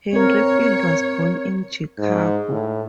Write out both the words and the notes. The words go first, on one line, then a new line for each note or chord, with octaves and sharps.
Henry Field was born in Chicago.
C4 A#4 C#5
G#2
A2